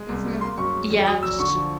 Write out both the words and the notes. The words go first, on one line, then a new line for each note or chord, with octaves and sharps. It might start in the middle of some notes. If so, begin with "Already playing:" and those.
Mhm. Yes.
Already playing: G#3
C2
G3
A#3 C6
F#2 C#6
G#3
E2
F#3 D#6
A#1 E6
D3 C#6
F3